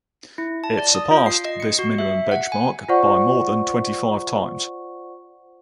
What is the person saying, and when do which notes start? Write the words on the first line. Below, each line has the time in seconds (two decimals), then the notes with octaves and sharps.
It surpassed this minimum benchmark by more than twenty-five times.
0.38 E4
0.64 A5
0.78 D5
0.95 D#6
1.11 F4
1.26 C7
1.45 D#5
1.60 C#7
1.79 F#4
1.98 E5
2.32 F#5
2.52 G#5
2.88 F4 C5 D5 F#5 C#6